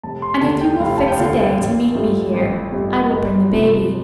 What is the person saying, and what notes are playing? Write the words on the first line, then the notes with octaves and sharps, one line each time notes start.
And if you will fix a day to meet me here I will bring the baby.'
F1 A5
C6
D#2 D3 A5
G5
F1 F5
A5
G5
D#2 D3 F5
A1
G2 F3 A3
A1
G2 F3 A3
G1 D#5
F2 C3 F3